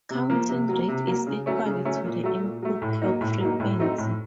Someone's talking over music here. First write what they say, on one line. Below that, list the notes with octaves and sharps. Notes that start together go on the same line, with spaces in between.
Counting rate is equal to the input clock frequency.
C3
F3 A#3
C3
F#3 A#3
C3
F#3 A#3
C#3
F#3 A3 C#4
C#3
F#3 A3 C#4
A#2
F#3 A3
A#2
F#3 A3
A2
F#3 A#3 D#4
A2
F#3 A#3 D#4
A2
F#3 A3 C4 D#4
A2